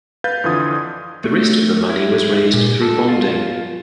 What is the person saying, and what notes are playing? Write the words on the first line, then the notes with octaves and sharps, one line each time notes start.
The rest of the money was raised through bonding.
B4 F5 G6 A6
F2 D3 E3 F4 D#6 G#6
A3
E4
A#2
A4
F4